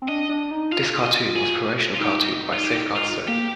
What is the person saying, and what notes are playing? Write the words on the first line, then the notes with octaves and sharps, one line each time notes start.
This cartoon was promotional cartoon by Safeguard Soap.
C4
D4 D#5
D4
D#4
F4 F5
D#5
G#4
F4
D#4 G4
F4
G4
F4
A#3 G4